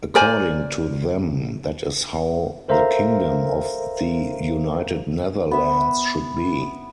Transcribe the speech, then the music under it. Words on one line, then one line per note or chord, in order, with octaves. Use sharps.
According to them, that is how the Kingdom of the United Netherlands should be.
A#4 C5 D5 G#5
A4 A#4 C5 E5 F5 A#5
B3 E5